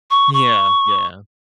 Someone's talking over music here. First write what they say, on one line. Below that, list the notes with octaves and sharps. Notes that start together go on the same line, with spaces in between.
Yeah, yeah.
C#6
C#6